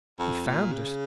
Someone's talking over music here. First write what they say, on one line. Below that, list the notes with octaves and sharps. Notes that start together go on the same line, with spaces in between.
He found it.
F2
A#2
C#3